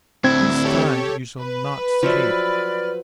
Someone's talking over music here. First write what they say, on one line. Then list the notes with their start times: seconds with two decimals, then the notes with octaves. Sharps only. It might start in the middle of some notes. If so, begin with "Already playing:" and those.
This time you shall not escape.
0.24 D2 C4 E4 G#6
0.63 G4 A4 C#5
1.39 B4
2.03 F3 F#3 D5 E5 B5 F6